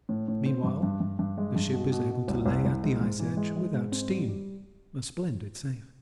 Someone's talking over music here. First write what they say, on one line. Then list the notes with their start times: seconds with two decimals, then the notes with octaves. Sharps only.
Meanwhile the ship is able to lay at the ice edge without steam; a splendid saving.
0.09 A2
0.28 A2
0.46 C4
0.64 G2
0.83 G2
1.00 G2
1.19 G2
1.38 G#3
1.56 G2
1.73 B2
1.92 B2
2.10 B2
2.28 C2
2.46 C2
2.65 C2
2.83 G#3
3.01 G#2
3.19 E3
3.37 G#3
3.56 G#3
3.74 G#2
3.92 C4
4.10 G3
4.28 G3